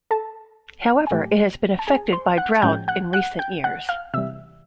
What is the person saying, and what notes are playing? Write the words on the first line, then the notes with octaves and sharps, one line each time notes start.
However, it has been affected by drought in recent years.
A4 A5
G#5
A2 F#3 A3 G4 G5
A5
G#4 G#5
C5 C6
F#5 F#6
A2 F3 G#3 C#4 G5 G6
F#5 F#6
F#5 F#6
G5 G6
F#5 F#6
F5 F6
C3 E3 G3 E5 E6